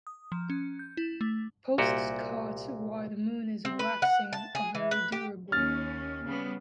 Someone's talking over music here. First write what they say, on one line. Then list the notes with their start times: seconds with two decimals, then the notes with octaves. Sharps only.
Posts cut while the moon is waxing are very durable.
0.07 D#6
0.32 F3
0.50 C#4
0.79 G6
0.97 E4
1.21 A3
1.78 C2 A#2 F#4 G4
3.65 C4
3.79 B4
4.02 F#5
4.33 A5
4.55 G#4
4.75 E3
4.91 B4
5.12 G4
5.52 D#2 C#4 F6 A6
6.25 C#3 G3 B3